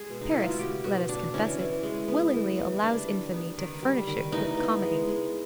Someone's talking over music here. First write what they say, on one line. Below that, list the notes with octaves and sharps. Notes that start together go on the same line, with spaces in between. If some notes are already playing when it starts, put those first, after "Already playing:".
Paris,--let us confess it--willingly allows infamy to furnish it with comedy.
Already playing: G#3 G#4
B2
D#4
G#3 E4
F4
F#4
B3 G4
B2 F#4
B2 D4
E3 C#4
E3
G#3
B3
E3
E3
G3 D4
D#3
B3
D#3
G3
D#3
E3 D#4
B3
G#3
G#3